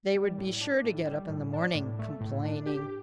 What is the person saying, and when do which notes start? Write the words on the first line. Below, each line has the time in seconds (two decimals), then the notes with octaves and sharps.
They would be sure to get up in the morning complaining.
0.16 G3
0.38 A2
0.61 D4
0.84 A2
1.06 G3
1.29 A2
1.53 D4
1.75 A2
1.99 A3
2.21 A2
2.44 D4
2.66 G4